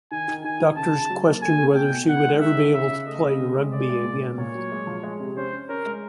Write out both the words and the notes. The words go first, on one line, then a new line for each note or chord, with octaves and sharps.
Doctors questioned whether she would ever be able to play rugby again.
D#3 G#5
D#3
D#3 G#5
D#3
C#3 A5
C#3
F#3
A#3
A3 G#5
A3
B2 G5
B2
D#3 F#5
G#3
D#3 E5
C#4
C#3 E5
C#3
A3 D#5
C#3
C4
G#3
G#3 D5
G#3
A#2
C#4
A#2 C#5
F#3
G#3
F3
G#3
C3
C#4 C5
C#4
C#4 A#4
G#3